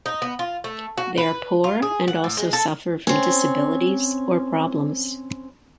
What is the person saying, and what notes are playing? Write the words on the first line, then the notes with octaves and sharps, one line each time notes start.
They are poor and also suffer from disabilities or problems.
D#4
B3
F4
A3
F#4
B4
F4
G#4
F#5
A2
G#3
A4
C4 C#4